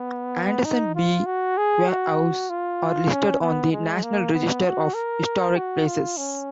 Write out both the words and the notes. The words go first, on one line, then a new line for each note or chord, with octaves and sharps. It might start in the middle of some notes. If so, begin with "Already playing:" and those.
Anderson B. Quay House are listed on the National Register of Historic Places.
Already playing: B3
D#4
F4
F#4
G#4
F#4
F4
C#4
B3
G#3
A#3
B3
F#4
A#4
F#4
F4
C#4